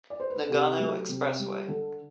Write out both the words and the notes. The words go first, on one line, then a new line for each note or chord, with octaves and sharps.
Nagano Expressway.
D5
C5
B4
A4
C3 G4
F#3 A3
C3
G3
D3 A4